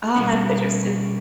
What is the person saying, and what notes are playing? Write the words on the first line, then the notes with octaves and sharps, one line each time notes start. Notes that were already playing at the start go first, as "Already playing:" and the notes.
Oh, that's interesting.
B2 G3 A#3 C#4